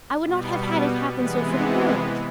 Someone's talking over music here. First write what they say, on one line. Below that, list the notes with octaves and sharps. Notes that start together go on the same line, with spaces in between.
I would not have had it happen so for the world.
B2 G3 B3
C3 E3 G#3 B3